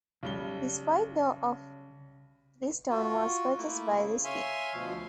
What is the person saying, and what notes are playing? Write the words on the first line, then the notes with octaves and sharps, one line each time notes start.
His "White Doe of Rylstone" was purchased by Ruskin.
B1 C#3 G3 G7
F4 F#4
A3 A#3 E4
C#3
C#5 E5 F5 G#5 C6
D2 B2 F3